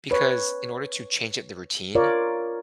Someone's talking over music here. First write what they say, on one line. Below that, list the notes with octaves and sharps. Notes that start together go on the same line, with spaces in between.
Because in order to change up the routine,
B4 C#5
F4 A#4 C#5 D5